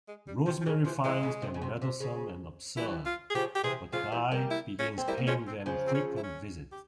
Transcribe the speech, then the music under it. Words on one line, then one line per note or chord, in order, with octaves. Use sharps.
Rosemary finds them meddlesome and absurd, but Guy begins paying them frequent visits.
G#3
G3
C3 F3
F3
C#3 E3
C3 E3 F3
C3 E3 G#3
C#3
C3
C#3
C3
C3
C#3
E3 G3 E4
F4
G#4
C#3 F3 G4
G4
C3 E3 G#4
C#3 F3 F4
E3 G3
G3 A#3
E4
C#4
C4
G3 A#3 E4
A#3
F3 G#3 C#4
C4
C#3 F3
C4
C#4
E4
C#4
G4